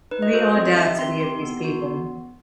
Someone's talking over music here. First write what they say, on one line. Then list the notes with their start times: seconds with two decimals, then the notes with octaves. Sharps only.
The audacity of these people.
0.11 D#4 B4
0.22 D#5
0.33 F#4 A4 C5
0.55 C4 D#5
0.76 D#4 G4 E5
0.98 C4 C6
1.20 D#4 G4 C6
1.42 B3
1.64 D#4 F#4
1.86 B3